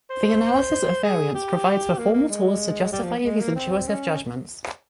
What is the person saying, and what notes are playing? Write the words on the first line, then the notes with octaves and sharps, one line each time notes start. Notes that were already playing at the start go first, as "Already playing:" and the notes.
The analysis of variance provides the formal tools to justify these intuitive judgments.
C5
G#4
G4
A#3
A#3
G#3
G3
F3
G#3
A#3
C4
C#4